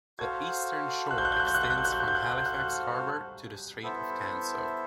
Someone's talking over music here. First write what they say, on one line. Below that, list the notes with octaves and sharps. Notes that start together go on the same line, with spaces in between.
The Eastern Shore extends from Halifax Harbour to the Strait of Canso.
F#4 A4 C5 F5 G#6
F#6
G6
F#6
G6
F#6
G6
F#6
G6
F#6
G6
F#6
G6
F#6
G6
F#6
G6
F#6
G6
F#6
G6
F#6
B3 E4 A4 C5 E5